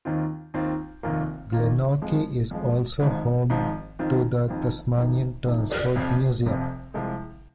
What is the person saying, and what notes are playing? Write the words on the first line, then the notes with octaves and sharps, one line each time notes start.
Glenorchy is also home to the Tasmanian Transport Museum.
D#2 D#3 C4 F4
D#2 D#3 C4 F4
F1 D#2 D#3 A#3 F4
F1 D#2 D#3 A#3 F4
F2 F3 G#3
F2 F3 G#3
G#1 G#2 F3
G#1 G#2 F3
F2 D#3 C4 F4
F2 D#3 C4 F4
F2 C3 D#3
F2 C3 D#3
F1 F2 C3 F3
F1 F2 C3 F3
C2 C3 F3 G#3